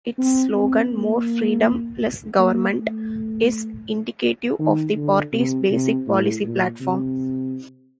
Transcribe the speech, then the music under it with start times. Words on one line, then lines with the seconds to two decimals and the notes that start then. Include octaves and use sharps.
Its slogan, "More Freedom, Less Government", is indicative of the party's basic policy platform.
0.19 C4
0.56 C4
0.92 A#3
2.39 A#3
2.77 A3
4.59 D#3
4.97 D3
5.33 C3
5.70 C3
6.07 A2
6.43 A#2
6.81 C3